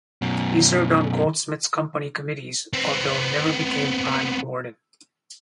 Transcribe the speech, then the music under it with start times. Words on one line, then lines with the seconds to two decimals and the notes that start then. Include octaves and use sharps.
He served on Goldsmiths' Company committees although never became Prime Warden.
0.22 F#2 B2
2.73 B3 C4